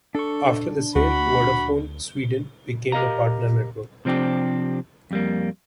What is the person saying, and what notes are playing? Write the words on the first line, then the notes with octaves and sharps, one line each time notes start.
After the sale, Vodafone Sweden became a partner network.
D4 A4 C#6
D2 F#4 B5
G4 A#4 D#5 F5 A#5
C3 F3 C4 D4 G4
F2 G3 A#3